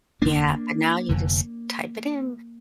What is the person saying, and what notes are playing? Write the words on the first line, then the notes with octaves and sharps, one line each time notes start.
Yeah, and now you just type it in.
F1 D#2 D3 A#3 D4
F1 F2 D3